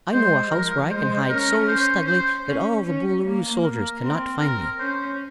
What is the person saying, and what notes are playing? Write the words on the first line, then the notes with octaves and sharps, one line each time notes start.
"I know a house where I can hide so snugly that all the Boolooroo's soldiers cannot find me."
G#3 C5
F3 A#4
G#3 C5
C#4 A#4
C5
C5
C#4
C#4
A#3
A#4
C4
A#4
C#4 C5